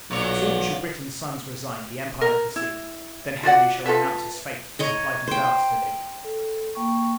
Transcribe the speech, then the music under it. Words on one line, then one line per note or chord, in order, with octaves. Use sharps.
Sooner shall Britain's sons resign The empire of the sea; Than Henry shall renounce his faith, AND PLIGHTED VOWS, TO THEE!
B1 A#2 F#3 C#5
A#4
E4
F4 F#4 D5 F#5
F4 A4 B4 E5
C#5 D#5 A#5
C5 G5
A4
A#3 G5 C#6